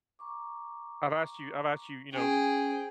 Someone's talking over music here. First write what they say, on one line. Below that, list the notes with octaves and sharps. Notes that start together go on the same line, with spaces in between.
"I've asked you I've asked you," you know,
A#5 C#6 D6
C#4 G#4 C5 G5